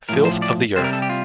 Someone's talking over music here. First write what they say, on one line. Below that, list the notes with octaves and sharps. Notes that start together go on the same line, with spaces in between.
Filth of the earth!
A2 F3 A#4
C5
D5
C3 G3 C5
A#4
A4
G4
F4